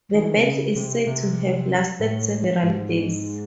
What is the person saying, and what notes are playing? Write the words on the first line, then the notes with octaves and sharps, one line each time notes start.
The battle is said to have lasted several days.
D#3
E3
D#3
C3
C#3
C3
C3
A2
G#2